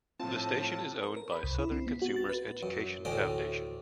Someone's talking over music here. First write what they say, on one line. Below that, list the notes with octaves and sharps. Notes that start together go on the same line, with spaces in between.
The station is owned by Southern Consumers Education Foundation.
A2 F3 C4 F4 A5
A#4
A#4
B5
C2
E4
C4
B3
F#4
A6
B4
F#2
D2 A2 G5 G#5